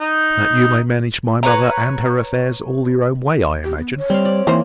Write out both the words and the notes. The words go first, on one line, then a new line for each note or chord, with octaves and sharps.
"That you may manage my mother and her affairs all your own way, I imagine."
D#4
B4 C#5 A#5
G4
B3
C#5
G3 C4 F5
D5
D#3 E3 A#3 C4 C5